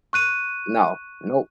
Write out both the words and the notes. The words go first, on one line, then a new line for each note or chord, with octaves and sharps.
No, nope.
C#6 F#6 D#7